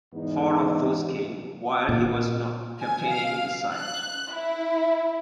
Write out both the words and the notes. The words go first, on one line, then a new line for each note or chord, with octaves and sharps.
Four of those came while he was not captaining the side.
E2 G#2 B3 D#4
A#2
G#5
F5
F#6
E4